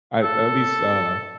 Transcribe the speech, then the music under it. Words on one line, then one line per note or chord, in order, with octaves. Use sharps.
I at least, uh,
A4